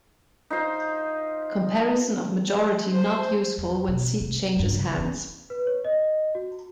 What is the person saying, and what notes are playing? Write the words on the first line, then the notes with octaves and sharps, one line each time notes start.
Comparison of majority not useful when seat changes hands.
D#4 F4 C5
C5
F2
B2
C3
G2 F#3
C#3
C4 C#4
B4
C#5
D#5
F#4